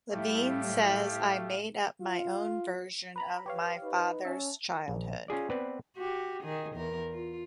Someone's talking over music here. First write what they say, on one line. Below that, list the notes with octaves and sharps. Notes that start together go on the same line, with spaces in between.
Levine says, I made up my own version of my father's childhood.
A2 G3 A3 E4 G4 F5
F4
B4 A#5 B5
G4 B4 C#5 F5
D#4 B4
C#4 E5 A5
A#1
C#4 F4 G#4 D5
B3 C4 B4 D5
F#4 G4
D#3 G#4
E2 A#4
F4